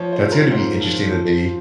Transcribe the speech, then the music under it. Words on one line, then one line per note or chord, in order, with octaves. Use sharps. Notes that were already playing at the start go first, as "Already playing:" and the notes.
That's gonna be interesting that they
Already playing: F3 C#5
C5
F3
A#4
G#2 C5
F3
F3